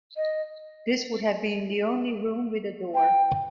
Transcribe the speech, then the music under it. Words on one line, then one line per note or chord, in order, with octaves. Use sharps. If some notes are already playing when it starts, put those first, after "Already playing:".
This would have been the only room with a door.
D#5
G5